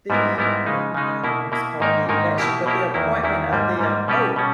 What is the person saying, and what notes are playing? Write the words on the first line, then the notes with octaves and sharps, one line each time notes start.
the el um, I I don't wanna call it the election, but the appointment of the, uh, pope,
G#2 G3 B3 E4 A#4
G#2 G3 B3 E4 A#4
C#3 G#3 D#4
C#3 G#3 D#4
B2 A#3 E4
B2 A#3 E4
G#2 D#3 A#3 D#4 A#4
G#2 D#3 A#3 D#4 A#4
B2 A#3 E4 G4
B2 A#3 E4 G4
E2 D#3 A#3 E4
E2 D#3 A#3 E4
G#2 G3 A#3
G#2 G3 A#3
B2 G3 C#4 G4 B4
B2 G3 C#4